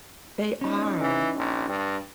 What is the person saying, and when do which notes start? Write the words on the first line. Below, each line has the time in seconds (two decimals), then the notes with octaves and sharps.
They are.
0.61 C#4 D#4
1.01 E3
1.37 A#1
1.68 G2